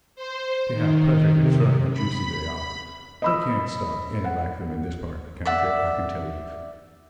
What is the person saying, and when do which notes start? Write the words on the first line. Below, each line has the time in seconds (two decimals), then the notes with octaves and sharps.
See how perfectly firm and juicy they are--they can't start any like them in this part of the country, I can tell you.
0.16 C5
0.73 D#3
1.37 C3
1.93 B5
3.22 D#5 B5 E6
4.24 F#5
5.45 D5 E5 F#5